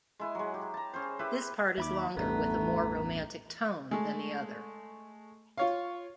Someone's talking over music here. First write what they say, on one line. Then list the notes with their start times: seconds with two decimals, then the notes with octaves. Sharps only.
This part is longer with a more romantic tone than the other.
0.19 G#3 E4 G#5
0.35 F#3 G#3
0.54 G4
0.74 A5 A#5
0.93 C#4 G#4 C5
1.19 E4 G4 B4 C5
1.78 D#2 E5 B5 D6
2.17 A1 E2 G2 A3 B3 A#5
3.91 G#3 A3
5.58 F4 C#5 F5